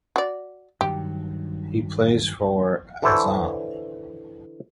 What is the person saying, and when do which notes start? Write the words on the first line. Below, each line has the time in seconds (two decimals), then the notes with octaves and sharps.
He plays for Azam.
0.16 F#4 D5
0.81 G2 D#3 F#3 G4
3.02 D3 E3 E4 A4 C5 C#5